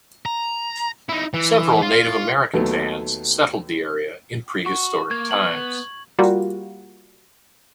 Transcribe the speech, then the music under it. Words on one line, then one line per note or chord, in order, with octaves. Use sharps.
Several Native American bands settled the area in prehistoric times.
A#5
D#4 E4
E3
F4
D#2 F#3 A3 B3
F#4 C#6
A#3 G#6
B3 F#7
G3 A#3 F4 F#4